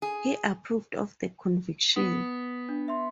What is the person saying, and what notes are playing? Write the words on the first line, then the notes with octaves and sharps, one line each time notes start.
He approved of the conviction.
G#4
B3 D#6
D4
E5 C6